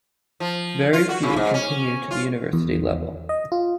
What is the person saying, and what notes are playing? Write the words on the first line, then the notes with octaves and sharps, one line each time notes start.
Very few continue to the university level.
F3
F4
F#4
C#3
G#2
C#4
F4
E2
D#5
F4